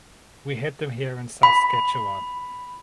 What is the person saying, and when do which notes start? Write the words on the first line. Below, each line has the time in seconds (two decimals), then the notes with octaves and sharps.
We had them here in Saskatchewan.
1.43 B5